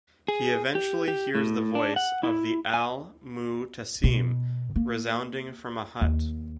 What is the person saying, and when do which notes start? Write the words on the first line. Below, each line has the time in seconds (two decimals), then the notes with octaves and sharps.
He eventually hears the voice of the Al-Mu'tasim resounding from a hut.
0.28 G#4
0.75 G4
1.08 G4
1.35 A2
1.75 D4
1.96 F#5
2.23 E4
2.74 G#5
4.04 B2
4.76 A#3
6.02 D#2